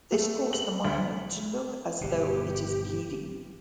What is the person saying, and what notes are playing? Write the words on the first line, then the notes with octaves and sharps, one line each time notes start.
This caused the monument to look as though it is bleeding.
A3
F#7
D2
G1 B2 G4